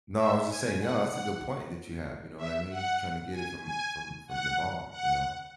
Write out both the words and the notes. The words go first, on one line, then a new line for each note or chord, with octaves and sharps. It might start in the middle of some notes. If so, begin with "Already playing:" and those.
No, I was just saying No, that's a good point that you have, you know what I mean? Tryna get it from from from the mar, you know?
E5
G#5
F#5
F#5
E5
F#5
G#5
G#5
F#5
F#5